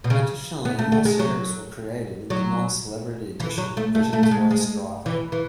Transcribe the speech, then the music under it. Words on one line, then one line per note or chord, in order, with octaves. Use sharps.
Additionally, more series were created in the non-celebrity edition, Britain's Worst Driver.
B2
C#3
B3
A3
A3
G#3
F#3
F#3
E3
F#3
A3
A3
A3
A3
G#3
G#3
E3
E3